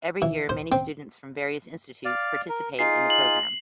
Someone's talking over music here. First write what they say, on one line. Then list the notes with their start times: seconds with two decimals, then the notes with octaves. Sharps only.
Every year many students from various institutes participate in the program.
0.22 E3
0.49 C5
0.72 C4
2.05 D5 F5
2.49 A#4
2.79 D#4 F4 G#4 C7
3.10 F#7